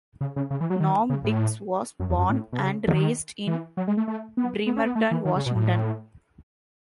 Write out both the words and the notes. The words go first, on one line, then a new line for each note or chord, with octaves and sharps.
Norm Dicks was born and raised in Bremerton, Washington.
C#3
C#3
C#3
E3
F#3
D#3
C#3
A2
F#2
E2
F#2
A2
B2
C#3
D#3
E3
F#3
G#3
A3
A3
B3
B3
C#4
B3
A3
E3
D#3
C#3
B2
A2